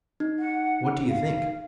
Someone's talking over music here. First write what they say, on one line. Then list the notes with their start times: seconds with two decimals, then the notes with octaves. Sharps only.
What do you think?
0.20 D#4
0.39 F#5
1.09 F5